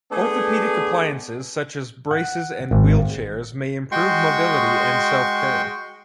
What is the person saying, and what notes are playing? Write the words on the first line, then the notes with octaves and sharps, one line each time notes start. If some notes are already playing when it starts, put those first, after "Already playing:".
Orthopedic appliances such as braces and wheelchairs may improve mobility and self-care.
A3 B3 D4 G#4
F#5
G#1
G#3 F#4 G5 C6 C#6